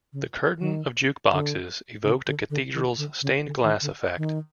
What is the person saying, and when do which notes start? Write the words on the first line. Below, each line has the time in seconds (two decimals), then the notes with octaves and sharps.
The curtain of juke boxes evoked a cathedral's stained glass effect.
0.13 C#3
0.60 D#3
1.32 D3
2.03 C#3
2.26 D3
2.50 D3
2.74 D#3
2.97 D3
3.22 C#3
3.46 D3
3.63 D#3
3.82 D3
4.17 D#3